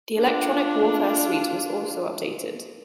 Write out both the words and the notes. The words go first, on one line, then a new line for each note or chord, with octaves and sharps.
The electronic warfare suite was also updated.
D4 F4